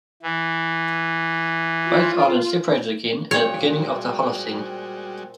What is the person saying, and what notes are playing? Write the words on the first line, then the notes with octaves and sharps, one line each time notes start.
Both islands separated again at the beginning of the Holocene.
E3
F4
A#2 G3 G#3 C4 F#4 C#5